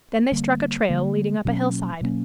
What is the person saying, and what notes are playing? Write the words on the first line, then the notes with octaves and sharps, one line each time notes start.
Then they struck a trail leading up a hillside.
D3 G3 A#3
D3 G3 A#3
B2 F#3 A#3 C#4
B2 F#3 A#3 C#4